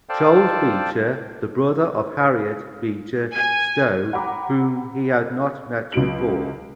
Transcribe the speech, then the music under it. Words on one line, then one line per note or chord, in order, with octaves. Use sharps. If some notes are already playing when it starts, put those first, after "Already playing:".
Charles Beecher, the brother of Harriet Beecher Stowe whom he had not met before.
A4 C5 D5 F5 G5 A5
G#5
F#5 G5 A#5 B5 D6
C#2 F#3 D7 F#7